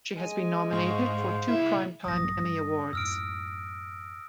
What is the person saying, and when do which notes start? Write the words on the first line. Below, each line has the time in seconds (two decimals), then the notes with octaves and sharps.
She has been nominated for two Primetime Emmy awards.
0.17 G#3 G#5
0.72 G#2 C5 F5 C#6
1.48 C2 E4 E5
2.04 A#1 G2 F#3 D#6 A#6
2.36 G2
2.93 F#2 A2 E6 F6 D7